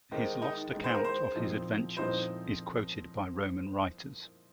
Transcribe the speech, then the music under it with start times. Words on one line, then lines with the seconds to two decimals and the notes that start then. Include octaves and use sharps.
His lost account of his adventures is quoted by Roman writers.
0.11 D#2 D#3 G#3 C4 D#4
0.42 D#4
0.73 D#2 D#3 G#3 D#4
0.84 C5
0.95 A#4
1.04 C5
1.35 A#2 F3 C4 D#4
1.97 A#2 F3 C4 D#4 C5